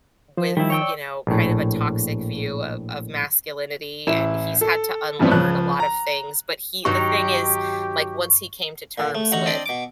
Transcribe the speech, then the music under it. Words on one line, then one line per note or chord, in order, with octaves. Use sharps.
with, you know, kind of a toxic view of of masculinity and he's had to unlearn a lot of things but he the thing is, like once he came to terms with,
F3 C5
D#3 F3 G3 E4
C#5 G5 E6
D5
A#1 A2
A1 E4 E7
A4
G2 E3 F3 G3 B3 C4
C#2 F3 F#6
A#5
G2 D#3 F#3 D#4 G4 C#6
A#2 D3
A3
A1 D2 D#4 F#5 A#5 C#6
C4 D4 D5 D#5
B2 D6